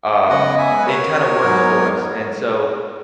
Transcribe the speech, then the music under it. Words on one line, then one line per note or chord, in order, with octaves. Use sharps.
um, it kinda works for us, and so,
C#3 G#3 B3 D#5 F#5
E5 G#5
B4
A#4 C#5
G#2 F#3 B3